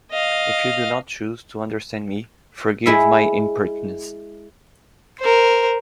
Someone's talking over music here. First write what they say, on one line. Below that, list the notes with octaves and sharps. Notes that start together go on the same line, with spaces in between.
If you do not choose to understand me, forgive my impertinence.
D#5 F5
G#3 E4 E5
A#4 C5